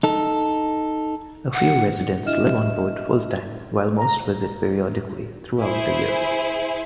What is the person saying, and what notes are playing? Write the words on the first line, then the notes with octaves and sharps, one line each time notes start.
A few residents live on board full-time while most visit periodically throughout the year.
D#4 A4
F#5
D4 E4 D#5 E5 F6 E7
A#5
E4 G#4 C5